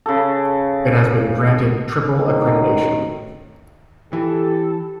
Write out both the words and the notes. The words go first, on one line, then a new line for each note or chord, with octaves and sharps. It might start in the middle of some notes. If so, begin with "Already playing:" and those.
It has been granted Triple Accreditation.
C#3 A4
F#2 A2 C3 D#3 F#3
E3 G4 A4